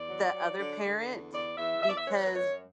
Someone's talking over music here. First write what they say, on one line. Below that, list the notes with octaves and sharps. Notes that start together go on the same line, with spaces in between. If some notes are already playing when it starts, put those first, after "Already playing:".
the other parent, because
Already playing: E2 D5
F#3
F#3
D3
D3
E2
E2 D5
E2 E5
E2 E5
D5
E5
B3 C#5
B4
F#2 C#5